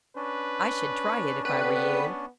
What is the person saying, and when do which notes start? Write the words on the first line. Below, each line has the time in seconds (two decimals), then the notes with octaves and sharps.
I should try it if I were you.
0.16 C#4 D4 B4
1.45 D3 B3 C4 B4